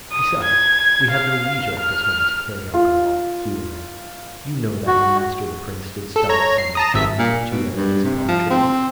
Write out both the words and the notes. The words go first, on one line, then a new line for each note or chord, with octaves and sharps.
"Besides, we have no leisure at this moment to carry out the law," he went on. "You know that your master the Prince did start us on this journey with two errands upon our shoulders."
D#6
G#6
F5
F6
F4
F#4
A4
C#5 A#5
C7
A5 A#5 D#6
G#1 E5 B6
A#2
B2
G2
C3
F3
C4